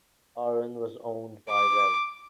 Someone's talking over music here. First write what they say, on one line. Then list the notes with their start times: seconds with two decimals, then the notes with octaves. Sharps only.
Aaron was owned by Rev.
1.50 D6